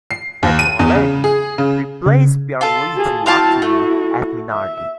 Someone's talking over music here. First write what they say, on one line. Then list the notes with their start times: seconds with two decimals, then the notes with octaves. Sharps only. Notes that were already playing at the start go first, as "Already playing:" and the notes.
Pedro Lamy replaced Pierluigi Martini at Minardi.
0.11 C7
0.43 D#2
0.59 D#7
0.79 E2
0.95 C#3
1.24 G#4
1.58 C#3
2.06 C#3
2.61 F4 A4
2.94 F#4 G#4
3.26 C4 E4 F#4 F5 A5
3.62 A3
4.52 E5